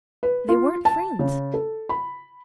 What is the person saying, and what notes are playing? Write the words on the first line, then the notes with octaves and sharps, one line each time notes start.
They weren't friends.
B4
F4
A5
C#3
A4
B5